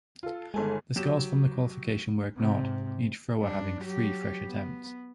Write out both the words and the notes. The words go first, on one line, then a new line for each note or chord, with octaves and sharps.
The scores from the qualification were ignored, each thrower having three fresh attempts.
F4 A4
G1 D#3 G#3 A4 G#5
F#3 G4 E7
G#2 C3
G2 D4
F#3 G4
B3